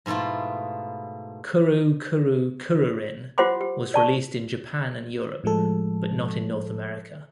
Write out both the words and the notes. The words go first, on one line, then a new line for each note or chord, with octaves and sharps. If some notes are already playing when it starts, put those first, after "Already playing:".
"Kuru Kuru Kururin" was released in Japan and Europe, but not in North America.
G#2 B2 A3 E4 F4
F4 G4 C5 F#5 C6 D6
G4
D5 A5 C#6
A2 F3 G#3 A4